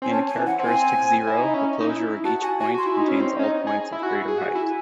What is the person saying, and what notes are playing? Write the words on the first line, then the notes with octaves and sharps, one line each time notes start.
In characteristic zero, the closure of each point contains all points of greater height.
C4 G#5
C#4 A5
G#5
E3
F#5
C4
G#5
E4
D#4
C#4
D#4
E4
F#4 A5
F#4 G#5
F#4 G#5
F#4 C6
E4
D#4
C#4
C4
C#4
D#4
G#4
E4
F#4
G#4
F#4 G#5
E4